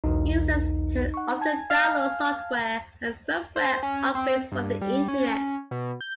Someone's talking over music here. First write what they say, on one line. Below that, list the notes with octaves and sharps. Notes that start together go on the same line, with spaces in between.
Users can often download software and firmware upgrades from the Internet.
B1 E2 D#4
F#5 C#6
G#5 A5 G#6
F5 F6
C5
C#4
C4
G2
G3
C#4
B2
G6